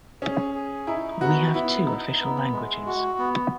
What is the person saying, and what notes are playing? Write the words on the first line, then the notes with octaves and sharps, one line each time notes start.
We have two official languages.
C#4 G#4
G#4
D#4 E4
B3 F#4
B3 E4
D#4
B3
G#3
F#4
B3